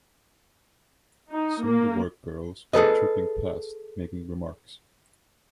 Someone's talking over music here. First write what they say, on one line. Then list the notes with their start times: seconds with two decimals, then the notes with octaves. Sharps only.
Soon the work-girls went trooping past, making remarks.
1.32 D#4
1.63 A#3
2.73 G#4 A4 B4 D#5